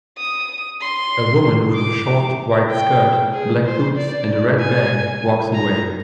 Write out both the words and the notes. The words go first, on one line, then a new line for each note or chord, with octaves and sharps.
A woman with a short, white skirt, black boots and a red bag walks away.
D#6
C6
D6
G5
G#4
C5
D5
G#5
A#5